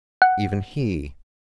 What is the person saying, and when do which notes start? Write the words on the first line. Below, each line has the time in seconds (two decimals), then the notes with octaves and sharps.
"Even he!"
0.22 F#5